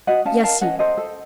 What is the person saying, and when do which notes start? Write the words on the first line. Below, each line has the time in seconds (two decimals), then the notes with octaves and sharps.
"Yes, you."
0.07 F#4 D#5 F#5
0.25 C#4 F5 A5
0.43 A#4 F5 A5
0.61 C#4 D#5 F#5
0.79 A4 C5 D#5
0.97 A4